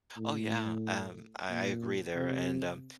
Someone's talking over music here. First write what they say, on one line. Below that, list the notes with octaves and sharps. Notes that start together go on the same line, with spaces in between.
Oh, yeah, um, I I agree there, and, um,
A2
A#2
C3